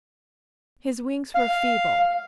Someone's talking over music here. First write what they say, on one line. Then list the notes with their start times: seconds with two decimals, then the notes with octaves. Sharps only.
His wings were feeble.
1.35 F5